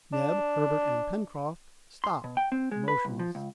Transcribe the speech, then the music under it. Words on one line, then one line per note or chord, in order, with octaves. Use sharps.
Neb, Herbert, and Pencroft stopped, motionless.
D4
C6
B2
G5
C4
G#3
B4
C2
F3
C#2